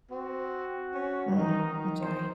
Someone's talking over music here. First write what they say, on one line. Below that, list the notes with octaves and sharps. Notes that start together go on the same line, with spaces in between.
Mm. I'm sorry.
C4 F#4
C#4
D#3 D#4
C5